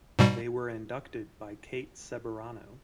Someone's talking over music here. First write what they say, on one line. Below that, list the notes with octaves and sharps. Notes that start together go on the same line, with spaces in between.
They were inducted by Kate Ceberano.
G#2 B2 G3